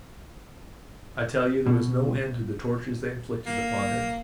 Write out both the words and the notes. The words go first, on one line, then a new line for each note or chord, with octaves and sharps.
I tell you there was no end to the tortures they inflicted upon him.
B2
A#3